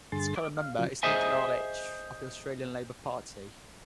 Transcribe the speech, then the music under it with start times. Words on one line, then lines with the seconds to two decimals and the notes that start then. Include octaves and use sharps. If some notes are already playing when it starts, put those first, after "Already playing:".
Its current member is Nick Lalich of the Australian Labor Party.
0.12 G2 D3 G#4 C6 A6
0.36 D6
0.57 F5
0.79 C#3 F3 F#3
1.03 G#4 C5 D#5 E5 G#5